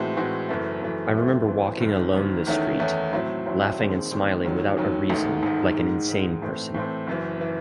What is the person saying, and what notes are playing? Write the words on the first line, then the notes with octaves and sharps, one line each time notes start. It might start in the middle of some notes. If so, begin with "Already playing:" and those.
I remember walking alone the street, laughing and smiling without a reason like an insane person.
Already playing: A2 E3 G#3 C4 F#4
A2 E3 G#3 C4 F#4
F#1 F#2 E3 A3
F#1 F#2 E3 A3
F#2 E3 A3 C4
F#2 E3 A3 C4
F#1 F#2 D#3
F#1 F#2 D#3
E2 D#3 A3 C#4 E4
E2 D#3 A3 C#4 E4
A2 F#3 C4 E4
A2 F#3 C4 E4
E1 D#2 D#3 G#3 C4
E1 D#2 D#3 G#3 C4
D#2 D#3 F#3 C#4
D#2 D#3 F#3 C#4
A1 G#2 D#3 A3
A1 G#2 D#3 A3
G#2 D#3 G#3
G#2 D#3 G#3
A2 E3 A3 C4
A2 E3 A3 C4
F#1 F#2 E3
E3